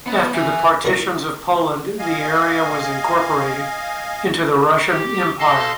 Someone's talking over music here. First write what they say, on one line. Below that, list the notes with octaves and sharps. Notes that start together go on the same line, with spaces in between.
After the Partitions of Poland the area was incorporated into the Russian Empire.
B3
E5 G#5
A2 G3 E4 A#4 C#6
D#5 F5 G#5
G4
A4 D#5 F5 A5 C6